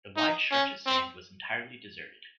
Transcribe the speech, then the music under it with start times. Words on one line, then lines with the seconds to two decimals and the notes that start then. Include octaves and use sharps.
The wide stretch of sand was entirely deserted.
0.17 D#4
0.52 C#4
0.86 C4